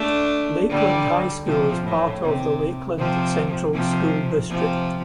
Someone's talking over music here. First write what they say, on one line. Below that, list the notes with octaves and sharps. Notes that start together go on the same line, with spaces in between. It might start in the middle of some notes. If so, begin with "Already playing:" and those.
Lakeland High School is part of the Lakeland Central School District.
Already playing: A3 D4
D3 G3
C3 F3
A2
C3
C3 F3
C3 F3
C3 F3